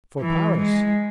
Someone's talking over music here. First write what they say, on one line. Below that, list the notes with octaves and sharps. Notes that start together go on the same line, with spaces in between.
"For Paris."
E3
G#3